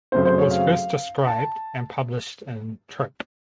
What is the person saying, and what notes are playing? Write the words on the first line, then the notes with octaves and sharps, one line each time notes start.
It was first described and published in Trop.
F#2 C#3 A3 C4 C5
C5
C#5
F5
A5